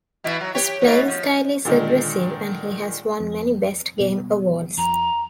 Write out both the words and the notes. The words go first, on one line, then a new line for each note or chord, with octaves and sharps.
His playing style is aggressive and he has won many "best game" awards.
B2 E3 E4
F#3
G4 C#5
G#2 B2 F3
F3
A#2 D3 D#3 G#3
F2
B2 G3
F2 A#5